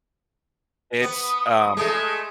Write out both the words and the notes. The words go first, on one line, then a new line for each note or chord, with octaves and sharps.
it's, um
B3 D#6
G#3 A3